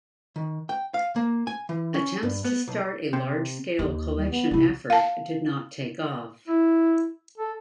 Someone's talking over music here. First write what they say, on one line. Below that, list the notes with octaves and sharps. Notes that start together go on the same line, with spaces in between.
Attempts to start a large scale collection effort did not take off.
D#3
G5
F5
A#3
G#5
E3
C#4
G2
B3
B1
C3
D#2
G3
B3
B1 C3 E4
F5 A5
E4
A4